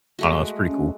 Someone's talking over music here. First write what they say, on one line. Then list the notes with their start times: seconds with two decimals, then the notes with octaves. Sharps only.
I don't know, it's pretty cool.
0.19 G#3 A3 F#4
0.66 C#4